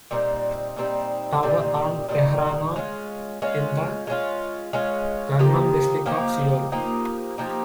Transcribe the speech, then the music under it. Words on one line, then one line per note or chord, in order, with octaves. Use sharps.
Tower on Teheranno in the Gangnam district of Seoul.
A#2 G3 C4 D#4
A#2 G3 C4 D#4
A#2 G3 C4 D#4
A#2 G3 C4 D#4
G#3 C#4 F4
G#3 C#4 F4
G#3 C#4 F4
G#3 C#4 F4
F3 A#3 D#4 G4
F3 A#3 D#4 G4
F3 A#3 D#4 G4
F3 A#3 D#4 G4